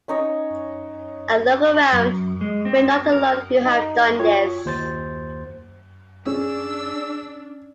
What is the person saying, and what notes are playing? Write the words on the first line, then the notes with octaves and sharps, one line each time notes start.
And look around, we are not alone who have done this.
C#4 D#4 C#5 D#5
F#2
G#3
C4
A#4
D#4
F4 F#4 C#5 G5
D#2 C5 A6
C#4 D4 G#4 E6